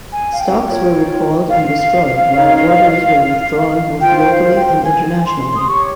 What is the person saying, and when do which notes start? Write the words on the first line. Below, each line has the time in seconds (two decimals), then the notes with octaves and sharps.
Stocks were recalled and destroyed while orders were withdrawn both locally and internationally.
0.12 G#5
0.33 F5
0.40 G5
0.68 F4 A#4 C#5
1.50 F5
2.35 D#4 A#4 C#5
4.00 F4 C5 G5
4.29 F5
4.56 G5
4.84 G#5
5.26 C6
5.56 D#6
5.67 G4 C#5 C#6